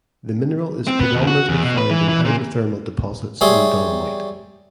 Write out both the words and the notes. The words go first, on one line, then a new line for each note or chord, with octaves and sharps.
The mineral is predominantly found in hydrothermal deposits in dolomite.
C4
B3
D#2
F#4
E2
B2
B4
E3
E3
A#2
G3 G#4 C#5 E5 C6